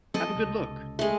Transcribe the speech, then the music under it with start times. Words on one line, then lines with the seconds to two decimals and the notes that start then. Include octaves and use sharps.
Have a good look.
0.14 F#3 C4 A4 D#5
0.35 C#2 C3
0.99 G#3 A3